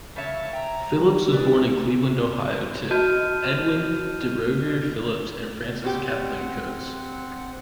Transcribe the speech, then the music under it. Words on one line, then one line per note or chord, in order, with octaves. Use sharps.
Phillips was born in Cleveland, Ohio, to Edwin Deroger Phillips and Frances Kathleen Coates.
C#3 C#5 E5 A5
E5 G5 A#5
D#3 G3 G4
G#3 G#4 B4 D5
F#4 D#5 A5 F6 G6 D#7
C#3 C4 G4 F#5